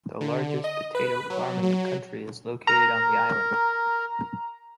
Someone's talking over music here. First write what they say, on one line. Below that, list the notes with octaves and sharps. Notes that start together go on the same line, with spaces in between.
The largest potato farm in the country is located on the island.
D3
D#5
B4
F#3
F#3
A#4 A#5